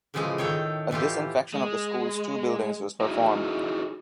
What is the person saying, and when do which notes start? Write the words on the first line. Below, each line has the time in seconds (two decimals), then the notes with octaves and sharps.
A disinfection of the school's two buildings was performed.
0.14 A2 C#3 E3 F3 G#3 G#4
0.38 A2 D#3 A4 C#5 G5
0.91 A2 E3 F4 G4
1.54 G#3
3.01 D#4 E4 F#4 G#4 D#5 A#5